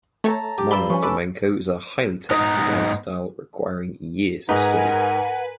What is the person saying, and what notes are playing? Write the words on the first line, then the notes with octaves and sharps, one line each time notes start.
Modern flamenco is a highly technical dance style requiring years of study.
A3 A4 C#5 E5 A5 A#5
G4
G2 D5 B5 C6 E6
F3 C#4 B4 C#5
A4 B4 E5 B5 D6
G#2 B3 D#4 D#5 A#5
G#2 D#4 A#4 B4 F#5 G#5